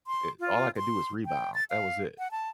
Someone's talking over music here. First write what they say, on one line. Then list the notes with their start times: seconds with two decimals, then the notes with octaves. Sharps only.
Eh, all I could do was rebound. That was it.
0.07 C6
0.40 F4
0.77 C6
1.26 G5
1.54 A6
1.70 F5
2.19 F#5
2.31 A5